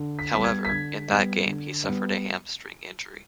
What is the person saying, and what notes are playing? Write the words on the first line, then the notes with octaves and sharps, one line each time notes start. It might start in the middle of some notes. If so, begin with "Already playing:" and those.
However, in that game, he suffered a hamstring injury.
Already playing: D3
B6
G3 B3 B6
G#6
B6
D3 G#6
G3 B3
D3
G3 B3